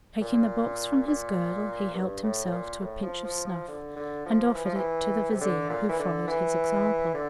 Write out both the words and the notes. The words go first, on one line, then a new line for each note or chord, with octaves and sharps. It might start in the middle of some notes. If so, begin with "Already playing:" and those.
Taking the box from his girdle, he helped himself to a pinch of snuff and offered it to the Vizier, who followed his example.
A#2
A#2
G2
A2
A2
A#2
A2
F3
F3
F3
D3
D3
F3
E3
F3
E3
C3
D3
A#2
E3
D3
E3
D3